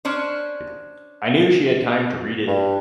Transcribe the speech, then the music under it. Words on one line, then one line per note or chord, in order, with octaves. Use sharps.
I knew she had time to read it.
C#4 D4 C5
G2